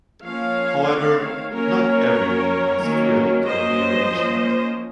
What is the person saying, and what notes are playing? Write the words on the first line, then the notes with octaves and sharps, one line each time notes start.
However, not everyone was thrilled with the arrangement.
F3 A#3 C#4 C#5 F5
D#3 A3 C4
F#3 A#3 C#4 A#4 C#5
F#3 A#3 C#4
D#3 F#3 A#3 C#4
F#3 A#3 C#4 C5 D#5
F3 A#3 C#4